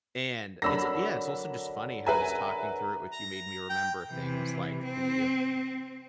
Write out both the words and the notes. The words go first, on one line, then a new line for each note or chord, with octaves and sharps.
And it's a yeah, it's also just funny how just talking through it with you made me remember things like the
D3 F#3 A#4 B5 E6 A#6
A#4 B4 E5 G#5 A#5
A#5
G5
C3 E3
C4